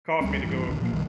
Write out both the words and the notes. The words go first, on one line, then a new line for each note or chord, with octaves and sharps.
cause me to go over there.
D2 G3 B3 C#4
A1 G2 E3
A#1 D#2 D3
A#2 F3 G3 A#3
B1 F#2 D#3 G3